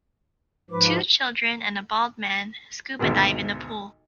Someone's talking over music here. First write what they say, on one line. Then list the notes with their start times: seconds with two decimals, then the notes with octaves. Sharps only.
Two children and a bald man scuba dive in a pool.
0.70 G#2 F3 B4 D6
2.99 G#1 D2 G#2 B2 D#3 G#3